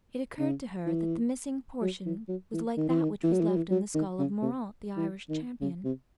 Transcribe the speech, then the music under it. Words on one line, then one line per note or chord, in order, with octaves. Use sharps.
It occurred to her that the missing portion was like that which was left in the skull of Moraunt, the Irish champion.
C#3
E3
F#3
E3
F#3
E3
D#3
E3
D#3
E3
F#3
E3
F#3
E3
F#3
D#3
C#3
C3
E3
D#3
C#3
C3